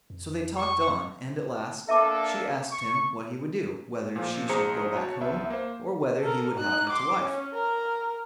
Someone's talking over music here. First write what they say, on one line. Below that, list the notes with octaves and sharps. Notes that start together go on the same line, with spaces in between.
So they talked on, and at last she asked him what he would do; whether she should go back home, or whether he would have her to wife.
F2
C#6
A#3 D4 A4 E5 A5 D6
C#6
A#2 F3 A#3
A#1 G#4 C5 A#5 C#7
F#4 C#5 A5
C2 B3 E5
A#3 C5
A4 A#4
D#4 F#6
C6 D6
C#4
A#4